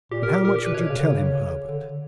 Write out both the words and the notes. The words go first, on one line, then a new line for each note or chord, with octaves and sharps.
"But how much would you tell him, Herbert?"
A#2 G4
A#4
G4
A#2 A#4
G4
A#2 B4
B2 C#5
C#3
D3
C#3
D3